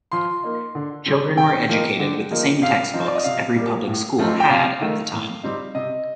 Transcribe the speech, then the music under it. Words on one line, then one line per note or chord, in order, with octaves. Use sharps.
Children were educated with the same textbooks every public school had at the time.
F3 C6
A#3 D#4
D3
G3 C4
C3 G5
F3 A#3 D#4
D3
F3 A#3 D#4
C3 F5
F3 C4 D#4
D5
D#5
C3 F5
G3 A#3
A2
F3 A3 C4 D#4
G5
C3 F5
D#3 A3 D#4
A2
G3 C4 D#4
C3 D#5